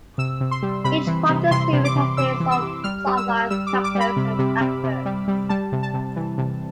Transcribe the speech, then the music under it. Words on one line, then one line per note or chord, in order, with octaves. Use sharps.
Each part of the series had its own plotlines, characters, and actors.
C3 E6
C3
C6
G3
C3 B5
E3
C3
C3 C6
C3
D6
C3
C3 E6
E3
E6
C3
G3 F6
G3
E6
G3
G3 E6
D6
G3
D6
G3
B5
C3
C3
C3
C3
G3
G3
G3 A5
C3
A5
C3
E3
C3